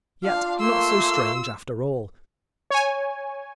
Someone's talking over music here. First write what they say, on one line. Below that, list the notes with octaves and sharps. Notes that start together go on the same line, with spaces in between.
Yet not so strange after all.
D4 F4 F5
A3 A#3 C6 E6
C#5 G#5